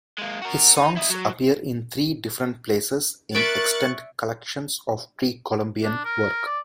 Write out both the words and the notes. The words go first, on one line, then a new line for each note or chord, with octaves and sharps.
His songs appear in three different places in extant collections of Pre-Columbian work.
G#3 A#3
F#4 A#4
D#4
E4 D#5
F#3
A#4 D5 E5 C#6 F#6 A6
D4
A#4
D5